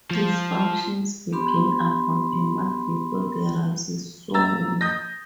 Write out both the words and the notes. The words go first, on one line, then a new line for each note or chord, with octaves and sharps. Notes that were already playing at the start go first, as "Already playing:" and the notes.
His functions begin about a month before the rice is sown.
F3
B3 D4 G4 B5 C6
A#5 E6 A6
D#6 G6 A#6